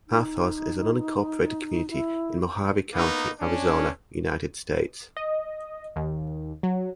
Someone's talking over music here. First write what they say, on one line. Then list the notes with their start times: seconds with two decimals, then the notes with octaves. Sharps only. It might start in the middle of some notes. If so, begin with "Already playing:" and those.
Athos is an unincorporated community in Mohave County, Arizona, United States.
0.08 D#4
1.89 E4
2.93 A#3 B3 D#4
3.40 C#4 D4
5.17 D#5
5.96 D#2
6.63 F#3